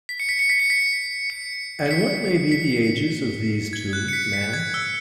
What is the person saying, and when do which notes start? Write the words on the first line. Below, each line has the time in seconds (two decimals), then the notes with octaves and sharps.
And what may be the ages of these two, ma'am?
0.09 B6
0.20 C#7
0.29 B6
0.39 C#7
0.49 B6
0.60 C#7
0.70 B6
1.30 C#7
1.86 C#7
1.91 B6
2.52 B6
3.73 G#6
3.93 F#6
4.08 C#7
4.13 B6
4.33 B6
4.53 G#6
4.74 E6